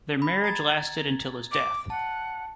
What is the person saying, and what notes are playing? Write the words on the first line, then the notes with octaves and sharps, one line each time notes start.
Their marriage lasted until his death.
B5
A#5 G#6 A6
D6
F#5 A5